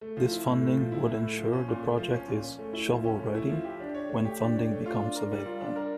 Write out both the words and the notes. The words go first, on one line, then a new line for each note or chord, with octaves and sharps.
This funding would ensure the project is "shovel ready" when funding becomes available.
A3
F3
E4
A2
A3
F3
E4
A2
A3
F3
C#4
A#2
A3
F3
C#4
A#2
C#4
A3
E4
F3
C#4
A3
E4
F3
G4
D4
C#5
A3
G4
D4
C#5
A3
F4
D4
A#4
G3
F4
D4
A#4